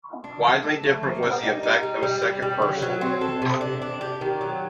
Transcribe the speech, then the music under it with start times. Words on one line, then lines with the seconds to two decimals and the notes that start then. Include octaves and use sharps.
Widely different was the effect of a second perusal.
0.24 D4
0.43 A4
0.63 A4
0.83 A3
1.03 A#3
1.23 G3
1.43 D#4
1.63 D#4
1.83 G3
2.03 G3
2.22 G3
2.42 G3
2.62 F#3
2.82 F#3
3.01 C4
3.21 A4
3.42 C3
3.61 D4
3.82 D4
4.01 G4
4.21 D#3
4.41 F#3